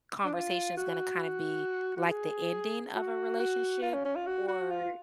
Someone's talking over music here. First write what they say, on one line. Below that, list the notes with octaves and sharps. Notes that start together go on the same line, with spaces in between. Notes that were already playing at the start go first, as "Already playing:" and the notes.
conversation is gonna kinda be, like, the ending of a relationship or
D4
F4
F#4
F#4
G#4
F#4
F#4
F4
C#4
C#4
F4
F#4
F#4
F4